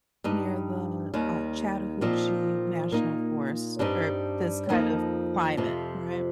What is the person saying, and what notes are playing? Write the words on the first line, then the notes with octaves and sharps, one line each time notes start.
near the, uh, Chattahoochee National Forest, or this kind of climate, right?
G2 G3 D#4
D#2 D#3 G3
A#2 F3 C4 D#4
A#2 A#3 D#4
G2 G3 C4 D#4
F2 F3 A#3 D#4
F2 C3 F3